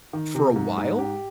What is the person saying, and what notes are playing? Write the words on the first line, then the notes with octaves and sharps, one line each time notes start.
for a while
D#3
C3
G#2
G#2
G4